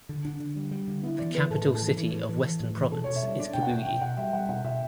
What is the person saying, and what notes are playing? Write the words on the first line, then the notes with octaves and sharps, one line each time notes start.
The capital city of Western Province is Kibuye.
D3
D4
D3
G3
G3
D3
B3 E4
E3 D5
E3 B4
A2 A4
A2
A4
E3
E3
A2
E3
E3
A2
E3
B2 A4
B2 C#5
E5
G3 D5
D4 D5
B2 G5
F#5
B2
B2 G5
B2 F#5
G3 E5
G3 F#5
B2 F#5
B2 E5